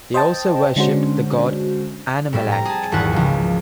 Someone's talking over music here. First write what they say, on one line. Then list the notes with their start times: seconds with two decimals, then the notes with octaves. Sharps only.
They also worshipped the god Anamelech.
0.14 C5 D#5 G5 A5
0.76 D3 G#3 C#4 D4 F#4 C5
2.33 A2 G3 C4
2.52 A#5
2.65 G#4 A5
2.92 D#1 G#1 E2 B4 F#5 C#6
3.13 C#2 F3